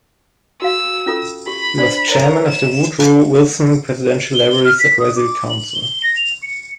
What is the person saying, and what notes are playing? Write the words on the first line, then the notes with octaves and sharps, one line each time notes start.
He was Chairman of the Woodrow Wilson Presidential Library's Advisory Council.
F#4 F5 E6
C#4 F4 A4
G4 B5
D4 C5 D5
A#4 C5 C#5 A#5
E7
G7
F6
B6
D#6
D6
F#7
G7
A#6
F7
C#7